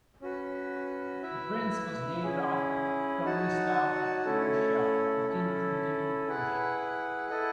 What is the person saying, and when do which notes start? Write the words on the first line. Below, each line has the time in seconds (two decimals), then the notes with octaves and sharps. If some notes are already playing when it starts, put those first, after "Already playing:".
The Prince was named after Tomislav of Croatia, the King of medieval Croatia.
0.22 C#4 F#4 B4
1.22 E4 B4 E5
2.23 C#4 E4 G#4
3.24 D#4 F#4 C#5 F#5 A5
4.25 A3 C#4 E4 A4 C#5
5.27 C#4 E4 A4
6.27 E4 G#4 B4 F#5
7.29 E4 A4 D#5 F#5